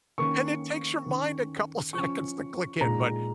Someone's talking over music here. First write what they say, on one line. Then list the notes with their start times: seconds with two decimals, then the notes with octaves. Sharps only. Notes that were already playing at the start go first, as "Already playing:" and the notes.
and it takes your mind a couple seconds to click in but
0.18 D#3 A#3 C#4 C#6
1.06 D#3 C#4
1.93 F3 C#4 C#6
2.81 A#2 G#3 D#4 A#5